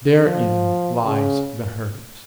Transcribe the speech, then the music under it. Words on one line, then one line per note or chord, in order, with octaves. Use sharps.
Therein lies the hurt.
F3
C#3